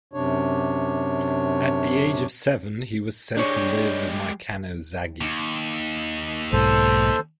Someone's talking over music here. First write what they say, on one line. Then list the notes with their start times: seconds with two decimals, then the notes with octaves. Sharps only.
At the age of seven, he was sent to live with Maikano Zagi.
0.13 F#2 C3 D4 C#5
3.37 G#3 D4 G4 C#5
5.21 D#2
6.52 B1 G#2 A4 C5